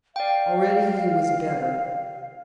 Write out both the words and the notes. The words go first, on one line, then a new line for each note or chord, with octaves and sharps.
Already he was better.
D5 F5 G5